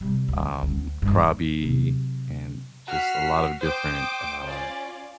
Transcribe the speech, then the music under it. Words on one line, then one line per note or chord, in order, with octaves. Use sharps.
um, Krabi and just a lot of different, uh
C3 G3
D2
D2 G3
F#1 G2
D#4
C3 F#3
F#4 F6 B6 C7
C5 G5 D6 D#6
C#4 F4 D5